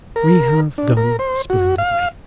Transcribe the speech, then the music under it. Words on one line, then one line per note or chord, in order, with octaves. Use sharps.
We have done splendidly.
A#4
D4
A#4
C5
F#4
F5